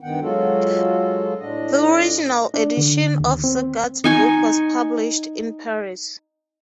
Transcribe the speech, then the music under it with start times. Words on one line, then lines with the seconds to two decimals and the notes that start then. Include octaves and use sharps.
The original edition of Sagard's book was published in Paris.
0.01 G2 D#3 B3 F#5 G5
0.22 F#3 G#3 F4 F#4 A4
1.39 A2 D4 D#5
2.54 D4
2.77 D3
3.20 D#2
3.44 C4
4.04 D#4 G#5 C#6